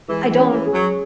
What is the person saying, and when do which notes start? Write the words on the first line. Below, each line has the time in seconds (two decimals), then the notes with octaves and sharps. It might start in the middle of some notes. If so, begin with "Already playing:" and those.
I don't
0.08 E3 G#3
0.30 E3
0.37 C#4
0.51 E3
0.66 G#4
0.72 F#3